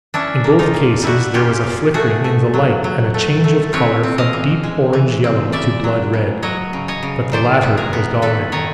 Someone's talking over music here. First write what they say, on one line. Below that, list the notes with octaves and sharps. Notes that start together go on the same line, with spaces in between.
In both cases there was a flickering in the light and a change of colour from deep orange yellow to blood red, but the latter was dominant.
C#4 D4 E4
A#3
D#4 F4
A#2
G3 E4 F#4
C#4 F4 G4
A#2
A3 F#4 G#4
A3
F#3
F#3
A3
A3
C4 B4 C#5
C4
D#5 F5
E3
G#3
E3
C4
C#3 D5 E5
F#3
C#3
F#3 C#5 D#5
C#3
C#5 D#5
C#3
D#3 C5 D5
B3
G#4 A#4
B3
D#3 A4 B4
D#3 C#5 D#5